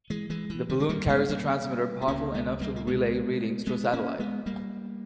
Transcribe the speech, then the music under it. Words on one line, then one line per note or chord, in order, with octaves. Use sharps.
The balloon carries a transmitter powerful enough to relay readings to a satellite.
E3 G#3
E3 G#3
E3
D#3 G3
G#3
G3 A#3
G#3 B3
G3 A#3
B3
C#2 C#3 A#3 C#4
G#3 B3
G3 A#3
A#3
G#3 B3
G#3 B3
A#3 C#4
G#3 B3
G3 A#3